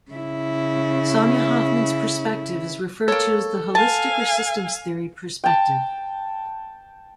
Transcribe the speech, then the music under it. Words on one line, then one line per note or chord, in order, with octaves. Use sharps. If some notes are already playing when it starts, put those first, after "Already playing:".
Sonia Hoffman's perspective is referred to as the holistic, or systems theory, perspective.
C#3 E4
A#3 A4 C#5
F5 G#5 A5
G5 A5